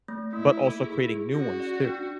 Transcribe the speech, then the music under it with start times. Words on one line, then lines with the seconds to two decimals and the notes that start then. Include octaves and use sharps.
but also creating new ones, too.
0.08 A3
0.33 A#3 E4
0.59 A4
0.84 G#4
1.10 G#4
1.34 C#4 F#4
1.60 D5
1.85 D4